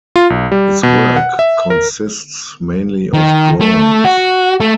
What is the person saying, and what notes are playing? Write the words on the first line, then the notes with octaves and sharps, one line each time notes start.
His work consists mainly of drawings.
F4
B1
G3
B2
F#5
E5
A#4
D#3
A3
F#4
A3